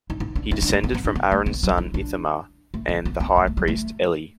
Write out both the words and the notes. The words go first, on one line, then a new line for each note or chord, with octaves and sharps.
He descended from Aaron's son Ithamar and the high priest Eli.
E4
E4
D4
E4
D4
A3
B3
B3
D4
B3
A3
B3
F#3
E4
D4
A3
B3
B3
B3
A3
A3
F#3
A3